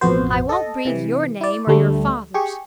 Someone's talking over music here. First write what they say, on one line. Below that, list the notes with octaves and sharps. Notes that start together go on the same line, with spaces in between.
I won't breathe your name or your father's.
A1 F2 B2 B3 F#4 C5
A4 D#5
C3 E3
E4 D5
D2 D3 G3 A3
G4 G#4 C#6